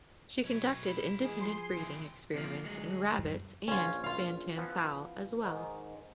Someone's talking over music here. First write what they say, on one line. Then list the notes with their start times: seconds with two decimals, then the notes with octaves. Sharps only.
She conducted independent breeding experiments in rabbits and bantam fowl, as well.
0.44 B2 F#3 B3 E4 C#5
0.85 F4 B5
1.21 E3 G#3 B3 G#4
1.41 F3 C6
1.77 C3 E3
2.34 C3 F3 A#3
2.63 D2 F#3 G#3
3.18 F#2 G3
3.68 A#1 C#4 F4
4.04 F4 F5
4.57 E3 F3 B3
5.44 G#2 D#3